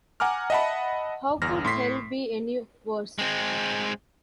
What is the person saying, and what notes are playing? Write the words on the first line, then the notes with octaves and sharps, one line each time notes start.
How Could Hell Be Any Worse?
F#5 G#5 A#5 D6 F6
D#5 E5 F#5 A5 B5
G1 E2 F6 A#6
A2 C6 B6 C7
G#3 C4